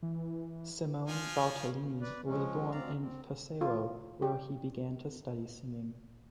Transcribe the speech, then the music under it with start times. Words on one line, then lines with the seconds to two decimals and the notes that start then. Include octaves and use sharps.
Simone Bartolini was born in Pesaro, where he began to study singing.
0.02 E3
1.08 F3 F4 G#5
2.01 B4 D5
2.25 F3 G#3 C#4
2.72 D2 C4 D5 F5 A#5
3.00 C4
3.61 F4
4.22 G4